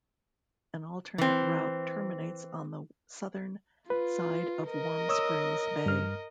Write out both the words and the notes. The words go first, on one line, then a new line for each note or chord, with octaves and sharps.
An alternate route terminates on the southern side of Warm Springs Bay.
E3 C4
F4 B4
A#4 D#5
C#5 D#6 E6
G2 F6